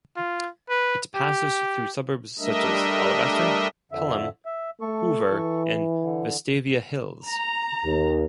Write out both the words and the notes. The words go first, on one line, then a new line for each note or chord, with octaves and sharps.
It passes through suburbs such as Alabaster, Pelham, Hoover and Vestavia Hills.
F4
B4
G4
G3 A3 D4 A#4 D#5 E5
F2 D3 E5
E5
A3 A4 C#6
E3
D3
A#5
D#2